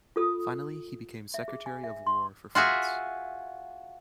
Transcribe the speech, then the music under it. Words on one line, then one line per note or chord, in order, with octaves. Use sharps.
Finally he became Secretary of War for France.
F4 A4 D#6
E5
G#4
G#5
E5
C6
F4 F#4 G#4 E5